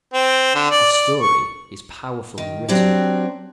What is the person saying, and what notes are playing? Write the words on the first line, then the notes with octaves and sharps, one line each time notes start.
The story is powerfully written.
C4
D3
D5
D5
C#6
D#3
F#3 C4 D4 F#4 G4